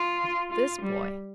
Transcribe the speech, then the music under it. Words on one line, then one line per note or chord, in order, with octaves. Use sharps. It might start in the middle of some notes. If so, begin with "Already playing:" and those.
But this boy....
Already playing: F4
F4
G3